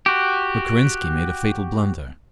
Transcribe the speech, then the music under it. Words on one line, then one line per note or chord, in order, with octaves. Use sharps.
But Kerensky made a fatal blunder.
F#4 G4